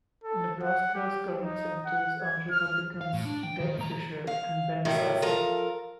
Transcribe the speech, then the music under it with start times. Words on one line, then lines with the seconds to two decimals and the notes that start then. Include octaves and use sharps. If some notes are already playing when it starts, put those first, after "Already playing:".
Nebraska's current senators are Republicans Deb Fischer and Ben Sasse.
0.24 A4
0.63 F#5
0.95 G4
1.42 D#4
1.86 F#5
2.22 G#6
2.50 F6
3.01 F5
3.14 A2
3.25 D4
3.43 G5
3.60 D#3
3.79 A#2 A#5
4.27 F5
4.85 A2 C3 D#3 F#3 G3 E4
5.22 F3 A4 A#4 F5